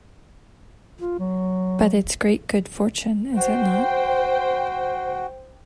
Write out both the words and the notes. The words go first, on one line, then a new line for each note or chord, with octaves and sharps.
But it's great good fortune, is it not?
F4
F#3
F#4 C5 G5